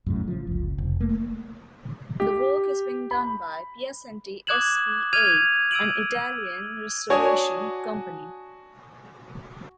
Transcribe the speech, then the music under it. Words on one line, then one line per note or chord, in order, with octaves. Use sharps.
The work is being done by Piacenti S.p.A., an Italian restoration company.
F#2 A2 C#3
F3
F#1 C#2
F1
A3 A#3
G4
B5
D6 D#6 F#6 G#6 E7 F#7
F6 G#6 D#7 F7
E6 G#6 D7 D#7 F#7
D4 F#4 C#5 G#5 D#6